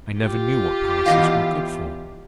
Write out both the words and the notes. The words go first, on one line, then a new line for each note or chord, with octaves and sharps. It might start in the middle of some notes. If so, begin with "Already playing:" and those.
I never knew what palaces were good for.
F4 G4
E2 D#5 F5